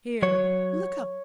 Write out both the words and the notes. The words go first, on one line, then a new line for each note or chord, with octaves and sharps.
Here, look up.
F#3 C#5